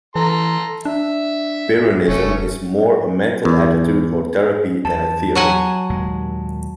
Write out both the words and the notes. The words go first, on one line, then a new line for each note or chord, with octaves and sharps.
Pyrrhonism is more a mental attitude or therapy than a theory.
E3 A4 A#5 C6
D4 E5
F1 A3 C#4
E2
E2 F3 A5
F#3 F#5 G#5
D#2 A#2 G#3